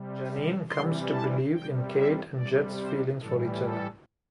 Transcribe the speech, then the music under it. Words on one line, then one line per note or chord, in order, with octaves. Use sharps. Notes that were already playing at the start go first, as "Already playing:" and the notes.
Janine comes to believe in Kate and Jed's feelings for each other.
Already playing: C3 G3
C3 E3 G3 C6
A5
C3 G3 G5
E5
C3 G3 D5
C5
A2 E3 G3 A4
A4